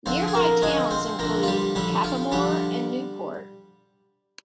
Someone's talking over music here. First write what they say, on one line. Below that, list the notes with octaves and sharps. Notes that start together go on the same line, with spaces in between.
Nearby towns include Cappamore and Newport.
D3 F3 C4 C5
G#4
A#3 A#4
D3 F3 G#3 G#4
C4 C5
D3 F3 A#3 A#4
F4
G3 G4
D3 F3 G3 G4
F3 F4
D3 F3 G3 G4